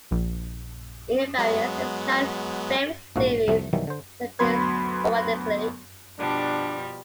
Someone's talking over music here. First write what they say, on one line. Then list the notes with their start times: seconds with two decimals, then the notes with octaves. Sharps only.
"Invariance" is now in its fifth series and appears sporadically.
0.11 A#1
1.38 F#3 G#3 B3
3.16 A#1 G#2 F3 A#3 F#4
3.48 C2 F2 C3 G3 A3
3.73 B1 D#3 E3 F#3 G3
3.87 D3 C5
4.39 D2 F#3 B3 B5 C6 G#6
6.19 B2 F3 G3 D4